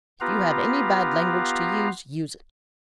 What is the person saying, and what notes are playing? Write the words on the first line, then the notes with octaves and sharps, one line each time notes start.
'If you have any bad language to use, use it.
B3 F4 G4 B4 F5 A#5